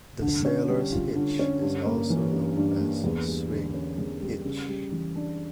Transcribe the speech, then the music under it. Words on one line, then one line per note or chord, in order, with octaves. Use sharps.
The sailor's hitch is also known as swing hitch.
D3
C#4
G3
F4
D3
C#4
G2
A#3
E3
C#4
G2
A#3
E2
G3
D3
C#4
E2
G3
C#3
G3
E3
D4